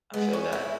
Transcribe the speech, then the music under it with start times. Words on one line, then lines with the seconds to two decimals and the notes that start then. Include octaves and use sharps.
I feel that.
0.14 G#3 B3
0.33 C#4
0.53 E4